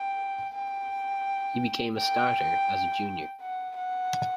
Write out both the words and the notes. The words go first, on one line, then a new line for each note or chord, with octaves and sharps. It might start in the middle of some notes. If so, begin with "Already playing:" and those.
He became a starter as a junior.
Already playing: G5
G5
G5
F#5
F#5